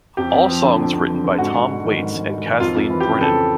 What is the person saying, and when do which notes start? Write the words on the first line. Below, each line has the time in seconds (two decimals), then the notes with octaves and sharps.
All songs written by Tom Waits and Kathleen Brennan.
0.17 F2 G4
0.34 F2
0.48 F3
0.63 D3
0.79 F2
0.93 F2
1.09 F3
1.24 D3
1.38 G#2 F#4
1.54 G#2
1.69 G3
1.84 D#3
1.99 G#2
2.15 G#2
2.30 G3
2.46 D#3
2.60 F2 F4
2.75 F2
2.90 E3
3.00 G4
3.05 C#3
3.21 F2 A4